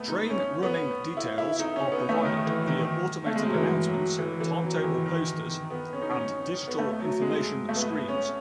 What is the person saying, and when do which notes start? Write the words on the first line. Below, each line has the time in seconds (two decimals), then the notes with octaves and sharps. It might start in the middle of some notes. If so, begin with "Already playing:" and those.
Train running details are provided via automated announcements, timetable posters and digital information screens.
Already playing: A3 B3
0.08 D#4
0.30 C#4
0.63 B3
1.17 E4
1.38 E4
1.59 D#4
1.76 C#4
1.92 B3
2.09 A3
2.25 D#3
2.46 E3
2.67 D#3
3.26 A3
3.36 G#3
3.45 F#3
3.54 E3
3.86 F#3
4.19 E3
4.40 E3
4.63 F#3
4.76 D#3
4.84 E3
5.06 D#3
5.49 D#3
5.70 B3
5.93 C#4
6.02 D#4
6.10 C#4
6.68 B3
6.79 A3
7.00 F#3
7.22 G#3
7.69 A3
7.76 B3
8.08 C#4